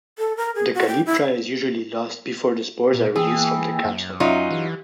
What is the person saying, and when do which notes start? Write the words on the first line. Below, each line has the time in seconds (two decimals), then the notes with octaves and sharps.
The calyptra is usually lost before the spores are released from the capsule.
0.18 A4
0.37 A#4
0.55 G#4
0.74 F#4
0.88 G5
1.06 E4
2.94 A#2
3.16 E3 A#3 G#4 G5 E6
3.85 F#2
4.20 F#3 C#4 D#4 F4 E5
4.51 E3 G4